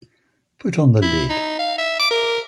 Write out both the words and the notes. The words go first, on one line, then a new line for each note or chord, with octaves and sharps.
Put on the lid.
E4
D#4
F5
E5
D6
A#4